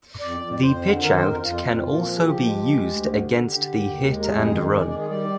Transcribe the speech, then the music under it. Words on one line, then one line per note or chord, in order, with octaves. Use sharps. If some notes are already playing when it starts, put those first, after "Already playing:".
The pitchout can also be used against the hit and run.
F2 D5
F2
F2 C5
D3
D#3 A#4
C5
F2 A#4
F2 F4
F2
A#2 F4
F3
G#4
F3 G4
G#3
G#3
D2
D3
D3
D3 G4
D#2
D#2
G#3
A#4
F2 G#4
D#3
G#3 A#4
D5
D#3 D5
G#4
G3 D5